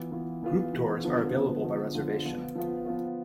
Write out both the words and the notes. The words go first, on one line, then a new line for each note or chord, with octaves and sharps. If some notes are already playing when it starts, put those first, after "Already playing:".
Group tours are available by reservation.
Already playing: E3 B3 F4
E3 B3 F4
E3 B3 F4
E3 B3 F4
D3 F3 B3 D4 F4
D3 F3 B3 D4 F4
D3 F3 B3 D4 F4
D3 F3 B3 D4 F4
F3 B3 F4
F3 B3 F4
F3 B3 F4